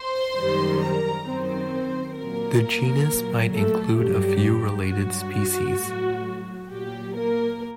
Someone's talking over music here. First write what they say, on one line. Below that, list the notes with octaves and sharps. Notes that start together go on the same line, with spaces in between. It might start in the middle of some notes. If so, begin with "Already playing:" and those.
The genus might include a few related species.
Already playing: C5 C6
F#2 D#3 G3
A#4 A#5
F#2 D#3 F#3 C4 C5
A#2 F#3 A#3 A#4
A#2 F#3
A3 A4
G2 F#3 G4
G2 F#3 F#4
A2 F#3
A#2 F#3 G4
A#3 A#4